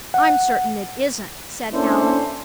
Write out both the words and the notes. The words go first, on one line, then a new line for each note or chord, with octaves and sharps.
"I'm certain it isn't," said Allan.
F#5
A#3 C#4 D4 E4 A4 C5